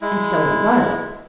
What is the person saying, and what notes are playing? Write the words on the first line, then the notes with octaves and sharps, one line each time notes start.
And so it was.
G#3 E4